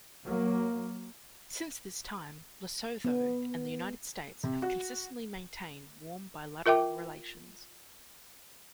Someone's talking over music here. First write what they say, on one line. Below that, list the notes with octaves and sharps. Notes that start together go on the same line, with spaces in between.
Since this time, Lesotho and the United States have consistently maintained warm bilateral relations.
F#3 A#3
B3
C3
F#4
F4 A#4 E5 G5 D6